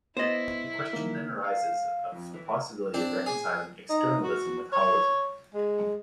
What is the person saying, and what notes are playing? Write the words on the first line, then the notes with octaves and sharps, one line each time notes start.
The question then arises of the possibility of reconciling externalism with holism.
B3 E4 C5 D#5
D#3 A#3
F5
F2
E3
C4 D4
G#4
D#4
F#4
C#5
G#3